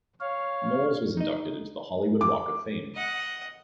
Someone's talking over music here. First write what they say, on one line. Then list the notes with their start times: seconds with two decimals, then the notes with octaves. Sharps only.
Knowles was inducted into the Hollywood Walk of Fame.
0.20 C#5 F5
1.17 D#4 D#5
2.21 D6
2.94 D#5 F#5